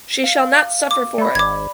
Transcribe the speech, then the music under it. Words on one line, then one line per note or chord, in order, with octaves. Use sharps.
She shall not suffer for it!
F5
D6
A3 D5 B5
G#1 D6 G#6